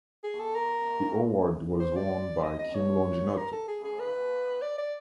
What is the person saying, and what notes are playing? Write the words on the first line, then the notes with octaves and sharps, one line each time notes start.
The award was won by Kim Longinotto.
G#4
A4
A#4
C5
D5
D#5
D#5
C#5
A#4
A4
G#4
G#4
B4
D5
D5